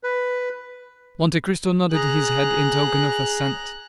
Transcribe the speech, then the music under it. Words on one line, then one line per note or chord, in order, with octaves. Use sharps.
Monte Cristo nodded his head in token of assent.
B4
G#4 A#5 F#6